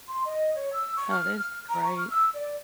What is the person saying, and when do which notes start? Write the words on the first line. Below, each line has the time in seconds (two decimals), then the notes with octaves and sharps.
Oh, that's great.
0.08 C6
0.25 D#5
0.55 C#5
0.73 E6
0.97 C#6
1.11 F6
1.40 F6
1.69 A#5
1.84 C#6
1.98 F6
2.11 E6
2.34 D5